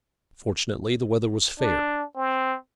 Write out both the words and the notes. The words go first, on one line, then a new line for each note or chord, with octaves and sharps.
Fortunately the weather was fair.
D4
C4